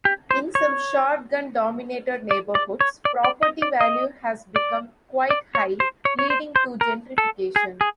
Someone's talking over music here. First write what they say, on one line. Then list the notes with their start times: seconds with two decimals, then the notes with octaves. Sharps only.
In some shotgun-dominated neighborhoods, property value has become quite high, leading to gentrification.
0.05 G4
0.31 C5
0.55 C#5
2.31 D5
2.55 D5
2.81 C#5
3.05 D5
3.24 D5
3.43 D#5
3.62 D5
3.81 D#5
4.56 D5
5.30 D5
5.55 C#5
5.80 C5
6.05 C#5
6.19 C#5
6.30 C5
6.56 C5
6.81 A#4
7.18 A4
7.56 G#4
7.81 G#4